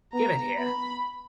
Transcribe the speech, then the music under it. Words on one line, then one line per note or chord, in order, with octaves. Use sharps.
Give it here!
B3 A#5
B3 B5